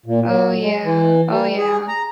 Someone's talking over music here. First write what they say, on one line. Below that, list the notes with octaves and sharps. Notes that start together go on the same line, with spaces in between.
Oh, yeah oh, yeah.
A#2
F#3
G#3
E3
G3
G#4
A#5